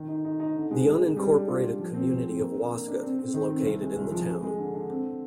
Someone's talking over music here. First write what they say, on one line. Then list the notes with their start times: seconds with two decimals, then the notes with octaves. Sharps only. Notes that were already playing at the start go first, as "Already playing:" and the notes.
The unincorporated community of Wascott is located in the town.
Already playing: D#3
0.08 D#4
0.25 D#4
0.40 D#4
0.55 D3
0.71 G#3
0.86 G#3
1.01 G#3
1.16 G3
1.33 D4
1.48 F4
1.63 F4
1.79 F3
1.94 C4
2.11 G#3
2.25 C4
2.41 A#3
2.57 D4
2.72 A#3
2.88 D4
3.03 C4
3.19 C4
3.34 D#3
3.50 C4
3.65 C2
3.81 G#3
3.96 C2
4.11 F3
4.27 G#3
4.43 G#3
4.58 D3
4.74 D3
4.89 C4